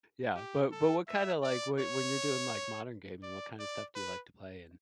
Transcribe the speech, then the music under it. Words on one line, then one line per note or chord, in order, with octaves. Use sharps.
Yeah, but but what kinda like when when you're doing, like, modern gaming, what kind of stuff do you like to play in
G4
A4
E5
D5
C#5
D5
D5
B4